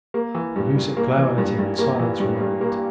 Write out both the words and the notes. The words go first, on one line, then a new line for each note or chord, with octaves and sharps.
Cahusac glowered at him in silence for a moment.
A#3
E3
G2
G2
A#3
E3
G2
G2
A#3
E3
G2
G2
A#3